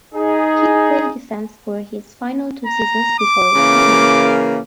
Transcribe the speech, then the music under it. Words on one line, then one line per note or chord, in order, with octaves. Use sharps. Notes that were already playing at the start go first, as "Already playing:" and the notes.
He played defence for his final two seasons before retiring.
D#4 G#4
A#5
D6
C#3 E3 A#3